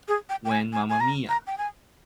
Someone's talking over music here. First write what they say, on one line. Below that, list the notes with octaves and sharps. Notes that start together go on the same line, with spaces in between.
When Mamma Mia!
G#4
G5
G5
G#5
G#5
G#5
A#5
A#5
G5
G#5